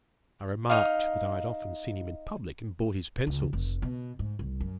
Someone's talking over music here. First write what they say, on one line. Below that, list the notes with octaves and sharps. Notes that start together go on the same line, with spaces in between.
I remarked that I had often seen him in public, and bought his pencils.
D#4 F5
C#2
F1
B2
G#2
C2
F#2